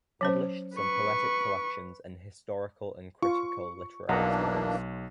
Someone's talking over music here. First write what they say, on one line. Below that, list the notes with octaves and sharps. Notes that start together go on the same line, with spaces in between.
Published some poetic collections and historical and critical literary studies.
F#3 C#4 C5
B4 C#6
F4 C#6
B1 E3 A#3 D4 D#5 F#5 A#5